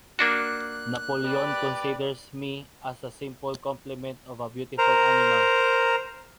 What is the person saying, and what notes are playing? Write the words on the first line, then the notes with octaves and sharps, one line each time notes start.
Napoleon considers me as a simple complement of a beautiful animal.
A#3 D4 F#4 F#6
G4 B4 D5
A#4 C5 A#5